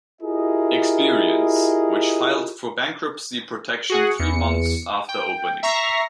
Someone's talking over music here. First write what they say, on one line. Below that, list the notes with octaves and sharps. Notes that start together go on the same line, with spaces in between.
Experience, which filed for bankruptcy protection three months after opening.
E4 F4 G4 G#4 A#4 D#5
F#4 G#4 F#5
E2 C#7
G5
E5 A#5 C#6 A#6 C7